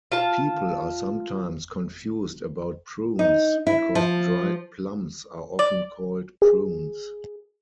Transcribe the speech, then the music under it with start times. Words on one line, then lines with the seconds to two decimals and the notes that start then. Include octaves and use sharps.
People are sometimes confused about prunes because dried plums are often called prunes.
0.12 F4 A5
3.19 D#4
3.67 E4
3.95 F3
5.59 D5
6.42 G#4